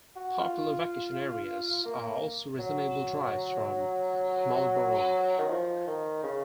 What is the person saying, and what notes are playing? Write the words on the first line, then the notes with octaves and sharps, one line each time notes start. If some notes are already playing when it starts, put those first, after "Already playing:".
Popular vacation areas are also reasonable drives from Marlborough.
F#4
F4
A#3
F#3
D#3
F3
D#3
C#3